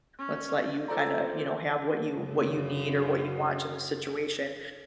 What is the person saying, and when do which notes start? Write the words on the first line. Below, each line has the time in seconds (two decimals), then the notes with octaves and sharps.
let's let you kinda, you know, have what you what you need or what you want in the situation,"
0.18 C#4
0.88 F4 A4 C5 D5 A#5
2.16 F#2 C#3